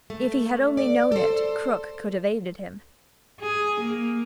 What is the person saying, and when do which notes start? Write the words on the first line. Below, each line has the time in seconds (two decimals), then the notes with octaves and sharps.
If he had only known it, Krook could have aided him.
0.10 A3
0.77 D5
1.12 A4 C5
3.40 G#4
3.81 A#3